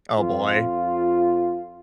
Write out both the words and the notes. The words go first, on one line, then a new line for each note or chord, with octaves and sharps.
Oh, boy.
F2 F4